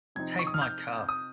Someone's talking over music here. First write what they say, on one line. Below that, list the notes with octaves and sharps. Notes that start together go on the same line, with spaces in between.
Take my car.
C3 F3 C4 D#4 G#6
C#6
D#6
F6
G6
D#6